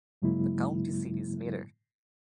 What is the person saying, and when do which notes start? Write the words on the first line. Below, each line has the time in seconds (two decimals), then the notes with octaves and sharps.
The county seat is Metter.
0.22 G2 C#3 F#3 G#3 A#3 E4